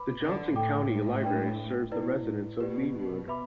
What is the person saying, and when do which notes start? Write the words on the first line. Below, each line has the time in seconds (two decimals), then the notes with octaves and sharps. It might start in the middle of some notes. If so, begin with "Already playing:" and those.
The Johnson County Library serves the residents of Leawood.
Already playing: B4 B5 D6
0.22 D3
0.55 A2 A4 G5 D6
1.24 D4 B4 D5 G5
1.92 B2 E4 B4 D5
2.26 A2
2.60 B2 G4 B4 D5
2.94 B2
3.28 B4 E5 B5 D6